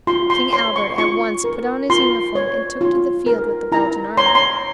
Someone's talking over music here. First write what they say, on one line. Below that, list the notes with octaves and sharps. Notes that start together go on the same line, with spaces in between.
King Albert at once put on his uniform and took to the field with the Belgian army.
F4 C6
C6
C#5 C6
C#6
F4 C#6
A#4
F4 C6
C#5
F4
A#4
E4 A#5
C#5 C6
A#5
C6